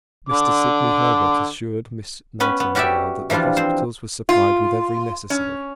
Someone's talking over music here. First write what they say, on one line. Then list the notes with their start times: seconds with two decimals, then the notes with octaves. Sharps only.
Mr. Sidney Herbert assured Miss Nightingale that the hospitals were supplied with every necessary.
0.29 D3 D6
2.40 B3 C#4 B4
2.60 B3
2.75 C#4 F#4 G4 D5 E5
3.30 E3 F3 G3 D4 F4
3.57 C4 C5
4.29 F4
5.30 C#4